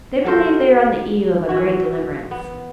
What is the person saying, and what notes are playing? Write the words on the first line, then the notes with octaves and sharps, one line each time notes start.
They believe they are on the eve of a great deliverance.
F#3 A4 A#4 C5
E3 F#4
B3